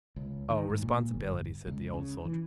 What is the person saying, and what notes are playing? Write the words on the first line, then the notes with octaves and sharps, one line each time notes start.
Responsibility!' said the Old Soldier.
C#2
D#3
G#2
A#2
G1
C#2
C#3
E3